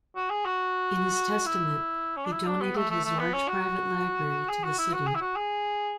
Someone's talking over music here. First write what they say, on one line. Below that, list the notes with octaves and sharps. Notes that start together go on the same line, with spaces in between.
In his testament, he donated his large private library to the city.
F#4
G#4
F#4
E4
C#4
D4
E4
D4
B3
A3
A3
A3
B3
C#4
F#4
G#4
F#4
E4
F#4
G#4
E4
F#4
G#4